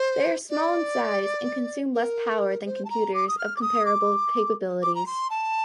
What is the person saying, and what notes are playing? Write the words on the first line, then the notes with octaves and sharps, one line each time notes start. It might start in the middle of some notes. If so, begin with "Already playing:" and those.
They are small in size and consume less power than computers of comparable capabilities.
Already playing: C5
D5
A#4
C5
A5
A#5
D6
D#6
F6
D6
D#6
D6
D6
A#5
C6
A5